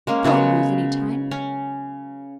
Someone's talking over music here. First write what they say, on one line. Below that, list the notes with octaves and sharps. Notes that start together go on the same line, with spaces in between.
Don't lose any time.
G#3 A#3 C#4
C#3 F#3 G#3 B3
C#4